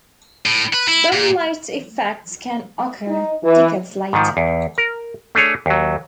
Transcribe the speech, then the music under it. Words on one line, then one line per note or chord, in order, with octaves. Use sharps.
Some late effects can occur decades later.
A2
B4
E4
A#2
D#4
E3
G#2 D#3 F3
E2
A#4
A3 D4 G#4 C#5
D#2 F#3